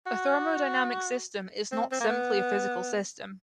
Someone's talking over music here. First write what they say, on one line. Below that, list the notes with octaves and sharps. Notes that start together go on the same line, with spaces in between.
A thermodynamic system is not simply a physical system.
F#4
C4
C4
A#3
B3